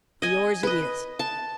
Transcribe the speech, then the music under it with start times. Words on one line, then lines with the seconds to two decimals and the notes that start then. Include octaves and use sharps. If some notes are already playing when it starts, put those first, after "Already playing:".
For yours it is.
0.22 D#5 G#5
0.63 B4 D#5
1.19 A5